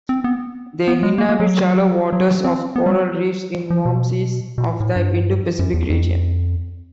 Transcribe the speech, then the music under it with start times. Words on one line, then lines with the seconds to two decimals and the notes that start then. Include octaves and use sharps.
They inhabit shallow waters of coral reefs in warm seas of the Indo-Pacific region.
0.09 C4
0.24 B3
0.88 B3
1.03 G#3
1.18 A#3
1.29 A#3
1.40 F#3
2.13 F#3
2.44 C4
2.76 B3
2.86 G3
3.70 F3
3.85 B2
4.58 B2
4.65 A#2
4.80 A2
4.96 G2
5.59 F#2
5.74 E2
5.90 F2